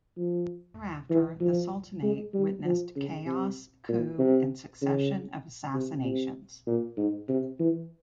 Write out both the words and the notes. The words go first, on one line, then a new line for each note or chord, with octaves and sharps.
Thereafter, the sultanate witnessed chaos, coup and succession of assassinations.
F3
E3
F3
G#3
G3
F3
C#3
C3
A#2
C3
C#3
C3
C3
A#2
G#2
C3
E3